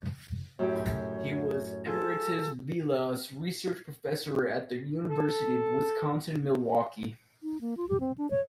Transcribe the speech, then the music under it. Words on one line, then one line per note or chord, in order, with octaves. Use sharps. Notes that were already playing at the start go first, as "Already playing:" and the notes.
He was Emeritus Vilas Research Professor at the University of Wisconsin-Milwaukee.
F#2 A2 G4 C#5
F4 G#4 A4
A4
D#4
A#3
F4
G4
C4
D4
C#5